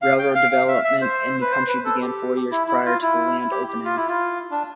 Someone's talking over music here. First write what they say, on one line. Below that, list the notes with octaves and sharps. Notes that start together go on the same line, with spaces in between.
Railroad development in the county began four years prior to the land opening.
F5
G5
F5
F5
E5
E5
C5
B4
C5
B4
A4
G4
E4
E4
F4
E4
G4
G4
F4
E4
F4
D4